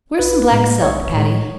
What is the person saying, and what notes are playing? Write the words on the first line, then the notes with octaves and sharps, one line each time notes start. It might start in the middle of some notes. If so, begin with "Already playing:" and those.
"Where's some black silk, Patty?"
B1 B4
A2 G#3
B1 C#5
A2 G#3